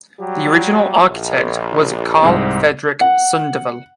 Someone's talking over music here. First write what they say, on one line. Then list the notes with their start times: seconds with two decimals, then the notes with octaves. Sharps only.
The original architect was Carl Fredrik Sundvall.
0.19 F#3 G3 G4
1.09 A#1
2.22 C2 G#2 C4
3.01 F#5